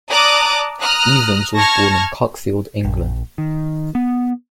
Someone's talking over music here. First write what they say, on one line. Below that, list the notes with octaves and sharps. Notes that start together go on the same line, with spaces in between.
Evans was born in Cuckfield, England.
D5 A5 A#5 D6 D#6 F#6
A#5 D#6 F6 F#6
A5 C#6 F6 G#6 A#6
A#1
D#3
B3